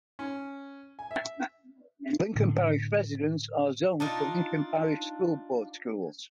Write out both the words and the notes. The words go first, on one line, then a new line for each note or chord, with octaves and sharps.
Lincoln Parish residents are zoned to Lincoln Parish School Board schools.
C#4
G#5
E5
A2 D3
D4 D#4 F4